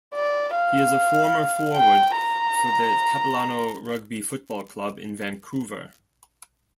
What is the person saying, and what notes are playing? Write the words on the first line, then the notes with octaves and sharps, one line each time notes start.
He is a former forward for the Capilano Rugby Football Club in Vancouver.
D5
F5
G5
A#5